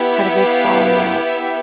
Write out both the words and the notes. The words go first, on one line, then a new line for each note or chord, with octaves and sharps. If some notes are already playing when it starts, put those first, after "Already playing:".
had a big falling out.
Already playing: B3 E4 G4
E5
F5
E5